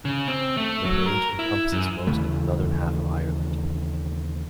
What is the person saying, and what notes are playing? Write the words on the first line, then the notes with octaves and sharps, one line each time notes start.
The range encompasses most of the northern half of Ireland.
C#3
C4
A3
F#3
A#4
E4
F#2
D#2 C#3 E3 A3